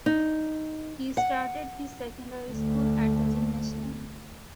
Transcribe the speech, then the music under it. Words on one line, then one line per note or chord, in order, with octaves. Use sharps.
He started his secondary school at the gymnasium.
D#4
F#5
D2 A3